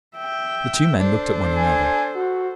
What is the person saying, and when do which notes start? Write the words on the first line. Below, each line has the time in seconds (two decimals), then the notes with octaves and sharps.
The two men looked at one another.
0.16 E5 G5
1.00 D4 A4 C5
1.55 G#5
2.15 F#4